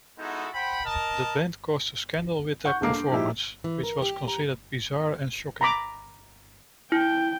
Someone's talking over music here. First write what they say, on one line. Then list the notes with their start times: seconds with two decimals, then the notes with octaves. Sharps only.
The band caused a scandal with their performance, which was considered bizarre and shocking.
0.18 G#3 B3 D#4 E4 F#4 A4
0.53 C5 F#5 G5 B5
0.84 A#4 D#5 A5
2.65 F#5 C#6 G6
2.81 E1 D2 G#3 A#3 D6 C7
2.94 G2
3.12 G#2 F3 E4 G4
3.64 E3
3.83 A#4
4.02 G4
4.28 A#5
5.61 A#5 B5 D6
6.92 E4 G5